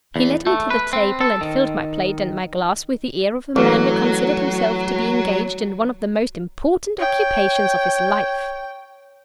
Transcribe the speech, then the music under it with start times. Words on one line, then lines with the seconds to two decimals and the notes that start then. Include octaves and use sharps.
He led me to the table, and filled my plate and my glass with the air of a man who considered himself to be engaged in one of the most important occupations of his life.
0.16 E2
0.47 A3
0.70 B4
0.93 C4
1.21 A4
1.41 D#3
3.56 A1 F#3
6.99 C#5 G5